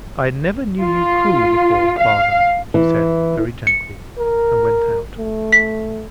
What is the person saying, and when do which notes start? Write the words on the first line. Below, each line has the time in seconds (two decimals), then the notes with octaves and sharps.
"I never knew you cruel before, father," she said, very gently, and went out.
0.80 F4
1.99 F5
2.74 E3
3.67 C#7
4.18 A#4
5.18 A3
5.52 B6